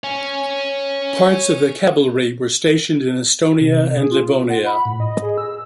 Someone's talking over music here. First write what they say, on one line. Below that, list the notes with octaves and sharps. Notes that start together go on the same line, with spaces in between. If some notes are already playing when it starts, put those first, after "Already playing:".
Parts of the cavalry were stationed in Estonia and Livonia.
C#5 G#5
C3
C3
G#4
F4
F#5
B5
A2
D#5
G#4
E6